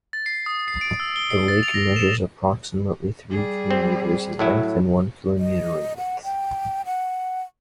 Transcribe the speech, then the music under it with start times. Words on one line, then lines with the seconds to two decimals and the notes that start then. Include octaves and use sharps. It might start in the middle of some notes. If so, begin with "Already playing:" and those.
The lake measures approximately three kilometres in length and one kilometre in width.
0.13 A6
0.26 C7
0.46 D#6
0.68 C7
0.81 D7
1.00 E6
1.16 G7
1.30 C7
1.48 A6
1.63 F7
1.74 A#6
1.96 E7
3.30 G3 G#4
3.71 C4
4.39 A2 F#3 E4
5.39 D#5
5.97 F#5
6.24 G5
6.86 F#5